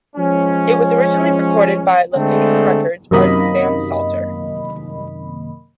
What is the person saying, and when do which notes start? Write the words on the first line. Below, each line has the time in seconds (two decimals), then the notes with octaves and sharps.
It was originally recorded by LaFace Records artist Sam Salter.
0.16 F3 G#3 C#4
2.15 D3 G#3 A3 C4
3.11 F#2 C3 D#3 A#3 D#5 B5